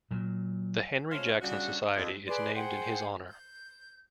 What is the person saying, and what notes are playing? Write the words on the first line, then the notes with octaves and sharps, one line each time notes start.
The Henry Jackson Society is named in his honor.
A#2 F#3
G#3 A3 C#4 F4 C5 F5
C#3 G3 D4 F#4
F2
G#4 B4 D5 C6
G#4 C5 F#5 G5
G6